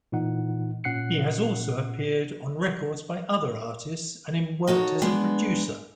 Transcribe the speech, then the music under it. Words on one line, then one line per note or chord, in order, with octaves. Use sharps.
He has also appeared on records by other artists and worked as a producer.
A#2 E3 D#4 F#5
A#2 C#4 F#5 F#6 C7 C#7
D#4 F#4 A4 C#5
G#3 B3 D4